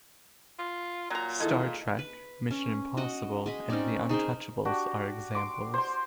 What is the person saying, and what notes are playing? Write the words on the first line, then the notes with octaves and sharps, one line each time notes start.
"Star Trek", "Mission Impossible", and "The Untouchables" are examples.
F4
A#2 F#3 A#5
D#3 E3 G#3 E4 A4
B4
C#4
F#4 D#5 F#5
G#3 D#5 B5
C4 C#4 D#4 D5
D#4 G#4 A#4 C5
D4 F#4 G4
C6 D6
C5 C6